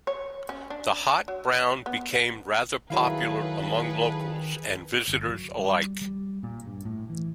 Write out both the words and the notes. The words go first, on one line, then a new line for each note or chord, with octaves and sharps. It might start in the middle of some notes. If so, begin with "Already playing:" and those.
The Hot Brown became rather popular among locals and visitors alike.
C#5
C#4
D4
F#3
B3
D#3 F#3 E4 G#4 A4 B4 F5
G1
F#3
G3
G3
A#2
G2
A2
E3